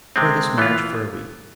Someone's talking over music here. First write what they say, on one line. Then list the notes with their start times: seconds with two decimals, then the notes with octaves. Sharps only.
Defer this marriage for a week.
0.16 C3 G#3 C4
0.58 E3 B3 F4